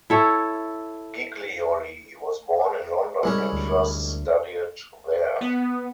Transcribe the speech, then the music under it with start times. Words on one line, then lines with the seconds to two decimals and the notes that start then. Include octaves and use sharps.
Giglioli was born in London and first studied there.
0.10 E4 A4 C#5
3.23 C2 G3 G#3 C#4 B5
3.52 D2
5.41 B3